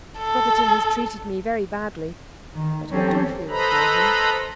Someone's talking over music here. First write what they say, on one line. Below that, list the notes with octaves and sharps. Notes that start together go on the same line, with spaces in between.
Brotherton has treated me very badly, but I do feel for him.
A4
D#3
E3 F#3 C4 C#4 G4 A4
A4 B4 C5 D#5 A#5 B5